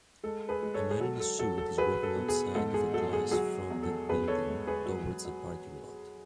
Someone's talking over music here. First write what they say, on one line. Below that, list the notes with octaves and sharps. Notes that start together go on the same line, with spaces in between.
A man in a suit is walking outside of a glass fronted building towards a parking lot.
G#3 A4
G#4 B4
G#3
A4 C#5
G#4
F#3 A4
A4
F#3 A4
A4
F#3 G#4 B4
A4
B2
G#4
G#2 A4
G#4
F#3 A4
G#4
F#3 G#4
E2
A4
E2 G#4 B4
A4 C#5
G#3
G#4 B4
F#3
F#3